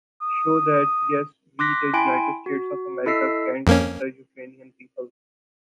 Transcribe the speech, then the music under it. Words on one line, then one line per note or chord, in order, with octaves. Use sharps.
Show that, yes, we the United States of America stand with the Ukrainian people.
D#6
C6 D6 F#6 A#6 B6
E4 G5 G#5 B5 C6 D7
F#4
E4 A4 D#5 E6 B6 C7
F2 A#3 C#4